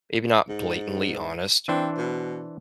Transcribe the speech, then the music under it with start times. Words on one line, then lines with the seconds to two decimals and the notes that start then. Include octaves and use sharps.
maybe not blatantly honest.
0.49 G#2
1.68 E3 C4 D4 C5
1.97 B2